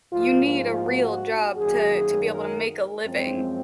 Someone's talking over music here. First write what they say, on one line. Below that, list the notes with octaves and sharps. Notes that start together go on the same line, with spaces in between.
you need a real job to to be able to make a living.
G#2 F3 A#3 F4
F4
F#4
F#2 D#3 F#3 A#3 G#4
A#4
F#2 F3 G#3 C4